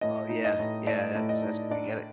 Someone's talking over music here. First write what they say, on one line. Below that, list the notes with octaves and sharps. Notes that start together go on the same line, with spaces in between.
Oh, yeah. Yeah, that's that's what you gotta
A2 D#5
D#4
D#5
A2
A3 D5
A2
D#5
D#4
D4 D5